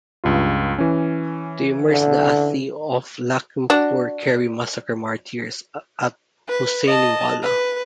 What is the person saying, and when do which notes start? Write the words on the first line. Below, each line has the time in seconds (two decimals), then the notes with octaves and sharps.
To immerse the asthi of Lakhimpur Kheri massacre martyrs at Husainiwala.
0.24 C#2 G2 F4
0.78 E3 C#4
1.90 D3
3.70 D4 F#4
6.49 B4
6.87 D#5 A5
7.43 B4